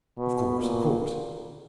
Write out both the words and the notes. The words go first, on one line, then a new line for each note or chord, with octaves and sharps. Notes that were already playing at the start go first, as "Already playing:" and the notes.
'Of course, of course.
B2
A#2